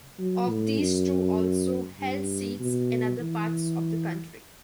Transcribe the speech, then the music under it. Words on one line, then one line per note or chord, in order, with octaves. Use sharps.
Of these two also held seats in other parts of the country.
F#3
A2
F#2
G2
B2
E3